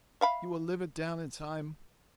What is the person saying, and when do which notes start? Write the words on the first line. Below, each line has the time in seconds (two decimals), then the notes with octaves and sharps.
You will live it down in time.
0.21 E5 F5 B5